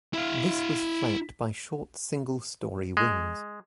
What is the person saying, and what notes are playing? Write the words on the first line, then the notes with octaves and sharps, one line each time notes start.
This was flanked by short single-storey wings.
E4 F5
G#3